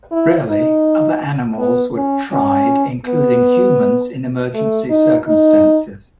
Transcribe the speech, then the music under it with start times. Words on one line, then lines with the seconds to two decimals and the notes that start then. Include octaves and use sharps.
Rarely, other animals were tried, including humans in emergency circumstances.
0.12 E4
0.49 D#4
1.59 B3
1.96 C#4
2.32 C#4
3.06 B3
4.54 A3
4.90 D#4
5.27 D#4